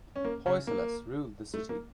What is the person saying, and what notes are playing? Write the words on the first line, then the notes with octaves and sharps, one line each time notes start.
Hoysalas ruled the city.
C#4
A#3
C#3 C#4
A#3
A3
A#3